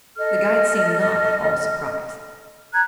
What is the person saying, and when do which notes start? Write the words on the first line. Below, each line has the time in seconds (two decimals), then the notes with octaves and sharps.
The guide seemed not at all surprised.
0.18 A4 D#5 F6
2.73 A#5 F#6 G#6